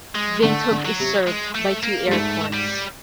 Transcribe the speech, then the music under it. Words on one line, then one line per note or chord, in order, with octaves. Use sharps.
Windhoek is served by two airports.
G#3
D3 A3
D3
F#3
C3
G#3
A3
A#3
G2
G#2 A3
G3